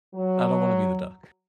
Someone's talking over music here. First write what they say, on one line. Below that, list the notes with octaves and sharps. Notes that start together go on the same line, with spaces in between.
I don't wanna be the duck.
F#3